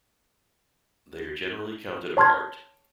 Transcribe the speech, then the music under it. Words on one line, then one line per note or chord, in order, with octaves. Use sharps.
They are generally counted apart.
C#5 A5 C6 F6 G#6